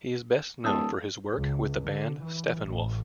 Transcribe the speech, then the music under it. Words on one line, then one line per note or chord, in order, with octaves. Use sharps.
He is best known for his work with the band Steppenwolf.
D1 A5 D#6 E6
C#2
D3
E3
A1